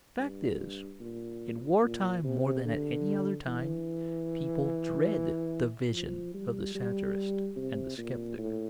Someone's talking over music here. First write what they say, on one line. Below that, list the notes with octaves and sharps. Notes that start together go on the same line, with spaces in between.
The fact is, in war time more than at any other time, people dread the vision of the satirist and the sceptic.
G2
A#2
A#2
C3
D3
E3
F3
G3
G3
C3
A#2
A2